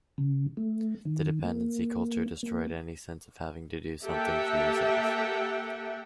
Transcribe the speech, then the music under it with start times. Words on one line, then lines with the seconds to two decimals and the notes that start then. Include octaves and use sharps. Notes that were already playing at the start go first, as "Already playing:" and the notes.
The dependency culture destroyed any sense of having to do something for yourself.
0.18 C#3
0.57 A3
1.05 D#3
1.44 A#3
2.43 A#3
4.04 A#3 G4 A4 E5 F#5 G5